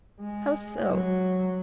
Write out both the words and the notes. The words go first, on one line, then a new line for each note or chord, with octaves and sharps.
"How so?"
G#3
F#3